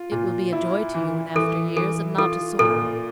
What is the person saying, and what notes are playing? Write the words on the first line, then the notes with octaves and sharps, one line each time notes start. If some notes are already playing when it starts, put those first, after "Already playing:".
It will be a joy to you in after years, and not a sorrow.
Already playing: F4
A#2
E4
E3
E3 A4
E3 A4
F4 A4
A#2 A4